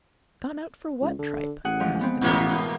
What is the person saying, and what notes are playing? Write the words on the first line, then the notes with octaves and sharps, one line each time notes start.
"Gone out for what tripe?" asked the girl.
C#2
D3
A1 G#4 F#5
G#2 F3
B3 C4
A1 G#2 B2 E3 A#3 B3